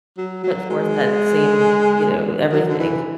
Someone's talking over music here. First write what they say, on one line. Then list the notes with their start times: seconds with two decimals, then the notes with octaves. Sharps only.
put forth that same, you know, everything.
0.18 F#3
0.44 F#3
0.70 G#3
2.52 F#3
2.69 D3
2.79 E3